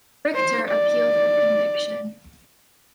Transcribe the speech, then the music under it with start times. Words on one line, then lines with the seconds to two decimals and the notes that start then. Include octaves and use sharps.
Richter appealed her conviction.
0.35 C5
0.70 D5